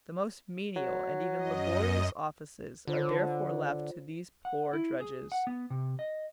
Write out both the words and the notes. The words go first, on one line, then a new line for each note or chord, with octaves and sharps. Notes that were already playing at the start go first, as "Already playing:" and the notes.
The most menial, and even laborious offices, are therefore left to these poor drudges.
F#3
F#2 D#5
D3 F4 C5 C#5
F#5
E4
G#4
F#5
B3
C3
D#5